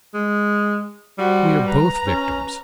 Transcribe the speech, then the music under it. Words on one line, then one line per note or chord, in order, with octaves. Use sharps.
We are both victims.
G#3
G3 F#4 C5
B4 A#5
C#4